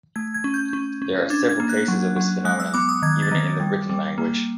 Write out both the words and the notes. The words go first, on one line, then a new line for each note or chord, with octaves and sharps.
There are several cases of this phenomenon even in the written language.
A3 G#6
G#6
C#4
G6
C#4
C#4
D4 G#6
G#6
A#3
F#6
F#3
F#3
G#3 F#6
E6
B3 D6
D#6
D#3 G#6
A6
D#3
G3
G3
A#3